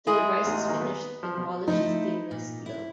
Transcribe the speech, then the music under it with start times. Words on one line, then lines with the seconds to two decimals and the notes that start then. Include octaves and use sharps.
The device is finished in polished stainless steel.
0.07 G#3 E4 G#4
0.45 A1 E2 D#4
0.68 D#3 A#3
0.81 B3
1.23 F3
1.34 B2 F3
1.68 F3 A3 D#4 E4
2.31 A#2
2.66 E4